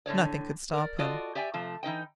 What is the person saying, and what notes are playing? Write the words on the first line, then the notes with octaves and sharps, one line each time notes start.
Nothing could stop him.
A2 D3 C#5 D5
A#4 D5
F4 F#4 A4 D5 D#5
G4 D5 E5 G5 G#5
C3 F3 A3
E3 D#4 D#5 G5